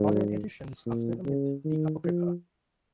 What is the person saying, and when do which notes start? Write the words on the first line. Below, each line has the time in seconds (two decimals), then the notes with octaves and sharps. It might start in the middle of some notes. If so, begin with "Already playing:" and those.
Modern editions often omit the Apocrypha.
Already playing: G#2
0.86 A#2
1.25 C#3
1.65 D#3
2.04 F3